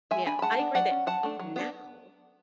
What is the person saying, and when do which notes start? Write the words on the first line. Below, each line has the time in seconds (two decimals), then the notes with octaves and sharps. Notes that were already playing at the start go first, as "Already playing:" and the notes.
Yeah, I agree that now,
0.11 G#3 E5 G#5
0.26 D4 G#5 B5
0.39 B5
0.42 G#3 F#5 A5
0.59 B3 D4
0.74 F#3 D5 F#5
0.91 C#4
1.06 F#3 F#5 A5
1.23 A3 D4
1.39 F#3
1.56 B3 D4